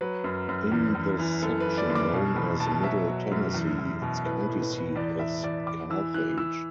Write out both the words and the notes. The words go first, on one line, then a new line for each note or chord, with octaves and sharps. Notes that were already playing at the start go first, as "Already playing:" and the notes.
In the section known as Middle Tennessee, its county seat is Carthage.
F#3 B4
F#2
F#2
E2
E2
E3
F#2 A4
B4
E3
D5
F#2
D6
B2
E2 B5
B2 A5
F#3 E5
F#3
F#2
E2
E2
B2
A2 B4
B4
A2
B4
A2
B4
E2 D5
E2 E5
E2 D5
E2 D6
E3 E6
E3 F#6
E3 E6